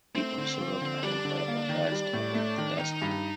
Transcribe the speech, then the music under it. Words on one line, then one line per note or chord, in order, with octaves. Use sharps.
He also wrote "An Empire of Dust" about the Dust Bowl.
A3 C4
D3
F3
D3
G3 D4
D3
A#3
D#3
G3
A2
A3
D#3
D#3 D#4
G2